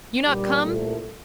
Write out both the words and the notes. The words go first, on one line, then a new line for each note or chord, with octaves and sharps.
You not come?
A#1 A#2 G3
C2 A#2 A3